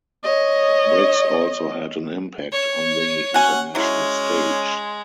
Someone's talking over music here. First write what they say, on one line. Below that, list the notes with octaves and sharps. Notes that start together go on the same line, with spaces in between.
Briggs also had an impact on the international stage.
C#5 D#5
C#5
C#4 F#4 F#5 G#5
F#3 G#3 C#4 E4